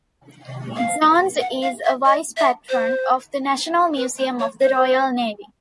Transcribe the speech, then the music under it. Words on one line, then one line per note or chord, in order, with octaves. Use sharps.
Jones is a Vice-Patron of the National Museum of the Royal Navy.
F5
F#5
F5
E5
D#5
E5
C5
B4
C5
C#5
C5